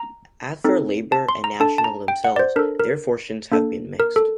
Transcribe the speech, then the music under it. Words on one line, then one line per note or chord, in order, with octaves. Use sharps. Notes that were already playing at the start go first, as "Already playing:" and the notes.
As for Labour and National themselves, their fortunes have been mixed.
Already playing: A#5
C4 D#4 A4
A5
C6
A#5
D4 A4 A5
A5
A#5
G5
F#5
D5
C5
D4 A4 A#4
A#4
A#3 D4 A4
A#4
A4